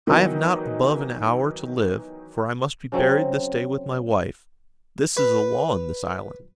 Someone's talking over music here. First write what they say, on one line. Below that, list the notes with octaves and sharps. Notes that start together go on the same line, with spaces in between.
I have not above an hour to live, for I must be buried this day with my wife. This is a law in this island.
D#3 E3 F#3 B3 D#4
C#3 F#3 C4
B4